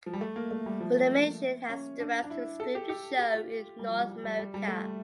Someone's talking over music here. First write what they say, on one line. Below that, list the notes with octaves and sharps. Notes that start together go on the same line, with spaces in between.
Funimation has the rights to stream the show in North America.
F3
G3
A3
A#3
A3
G3
F3
A3
A#3
C#4
D4
D4
E4
A4
G4
G4
G4
F4
G3
F3
G3
F3
G3
G3
G3
A3